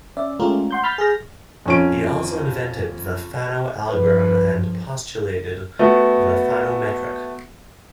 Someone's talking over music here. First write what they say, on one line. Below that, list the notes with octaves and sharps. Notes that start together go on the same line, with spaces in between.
He also invented the Fano algorithm and postulated the Fano metric.
C#4 D5 E5
G#3 A3 C#4 F4 G4 A#4
F#5 C6 G6
B5 F6 G6 A6 B6
G#4 F6 A#6
F2 C#4 D7
G2 F3 B4
A3 B3 F#4